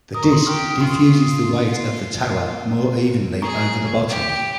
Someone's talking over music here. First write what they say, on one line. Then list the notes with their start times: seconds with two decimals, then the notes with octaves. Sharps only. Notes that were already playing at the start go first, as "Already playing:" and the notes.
The disk diffuses the weight of the tower more evenly over the bottom.
0.15 A#4 D#6
0.23 C#6
0.31 C6 D#6
0.47 G4 C#6 F6
0.80 F4 C6 D#6
3.42 G#4 A#5 C#6
4.08 G4